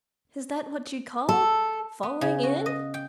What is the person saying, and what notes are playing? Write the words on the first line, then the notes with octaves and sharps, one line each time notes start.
"Is that what you call FALLING IN?"
A4
B3
C#3
F#4
D#5
G5